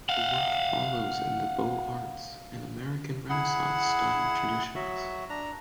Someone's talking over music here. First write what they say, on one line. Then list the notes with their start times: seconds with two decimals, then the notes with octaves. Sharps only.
The work follows in the Beaux Arts and American Renaissance style traditions.
0.09 F5 F#5
3.30 E4 G#4 F#5
4.75 F#3 F#4 E5
5.29 D4 A#5